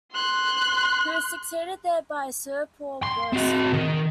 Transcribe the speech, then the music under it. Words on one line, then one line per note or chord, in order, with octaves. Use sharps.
He was succeeded there by Sir Paul Beresford.
C6 F#6
C6
C4 F#4
D#3